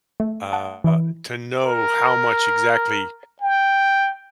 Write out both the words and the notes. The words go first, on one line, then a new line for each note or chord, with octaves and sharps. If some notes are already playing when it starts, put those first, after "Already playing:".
uh, to know how much exactly
A3
F#5 A5
E3 E4
A#4
G5